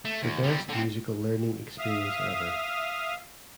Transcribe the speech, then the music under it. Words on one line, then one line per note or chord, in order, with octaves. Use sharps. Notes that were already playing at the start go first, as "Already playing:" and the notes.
The best musical learning experience ever.
A3
D#2
D3 G3
D3 C4
E5 F5 D#6 F6